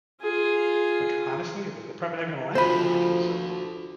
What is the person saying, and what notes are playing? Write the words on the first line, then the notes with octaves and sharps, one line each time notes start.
Like, honestly, the they're probably not gonna like it here because, uh
F4 G#4
F3 F#4 A4 C5 B5